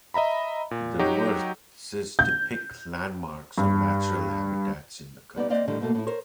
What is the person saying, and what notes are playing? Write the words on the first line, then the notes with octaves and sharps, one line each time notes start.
The reverses depict landmarks or natural habitats in the country.
D#5 E5 A#5 B5
A#2
F#3 D#4 F#4 G4
G6
G2
G3 B3 D#4 D5
A#3 C4 D5 D#5 F5
A2 D3 D#3 G3
G#2 B2 A3 A#3
A2 E4
A#4 C5 C#5